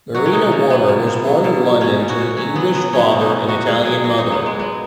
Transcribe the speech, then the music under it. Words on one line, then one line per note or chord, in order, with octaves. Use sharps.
Marina Warner was born in London to an English father and Italian mother.
F#3 F#4
C#4
B2 D#4
B2
F#3 B3
B2
B2
F#3
B2
F#3
B2 C#4
B2
F#4
B2
F#3 C#4
F#3 B3
F#3 B3
F#3 C#4
B2
D#4
B2
F#3 F#4
G#2 G#4
F#3 G#4
F#3 F#4
F#3 D#4
B3
G#2 G#3
F#3 B3